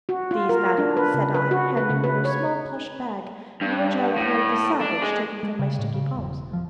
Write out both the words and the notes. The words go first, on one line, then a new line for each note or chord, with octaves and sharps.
"These, madam," said I, handing her a small plush bag into which I had poured the "salvage" taken from my sticky palms.
F#4
F4
A#4
D4
B4
C#3
B4
F#4
B4
C#3
B4
C#5
G2
A2
D4
G#3
G#3
C#3
A2
C#3
E1
F3